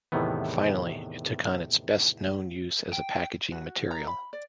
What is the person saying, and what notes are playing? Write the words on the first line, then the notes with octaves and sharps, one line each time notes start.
Finally, it took on its best-known use as a packaging material.
E2 A2 C3 D#3 E3 B3
G5
F#4
A#5
B5
D5